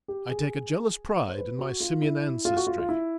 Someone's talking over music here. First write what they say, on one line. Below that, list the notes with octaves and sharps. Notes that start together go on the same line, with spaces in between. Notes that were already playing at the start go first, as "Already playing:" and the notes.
I take a jealous pride in my Simian ancestry.
G4
G#4
C5
B4
F#4
F4
E4
F4
F#4
F4
F4
E4